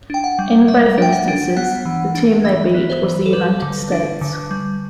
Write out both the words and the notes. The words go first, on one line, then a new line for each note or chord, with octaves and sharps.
In both instances, the team they beat was the United States.
D4 G5
F#5
G3
G3 E5
D4 G5
F#5
D4
B3 F#5
E3
D4
E3 E5
B3
C5
E3
A4
G3 B4
D3
D4
D3
G3